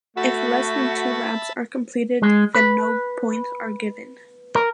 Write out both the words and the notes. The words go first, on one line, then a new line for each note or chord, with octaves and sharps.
If less than two laps are completed then no points are given.
A3 F#4 E5 A5 B5
G#3
B4
A#4